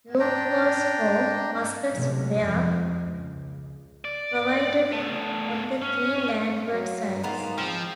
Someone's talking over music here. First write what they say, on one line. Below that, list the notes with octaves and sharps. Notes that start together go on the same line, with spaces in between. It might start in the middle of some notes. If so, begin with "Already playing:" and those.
Loopholes for muskets were provided on the three landward sides.
D4 G5 A#5
C3 E3 F#3 G#3 A3
F2
C#2
D5
A3 B3
C#4
F#3
G#2 A#3 B3 F4
F3 C4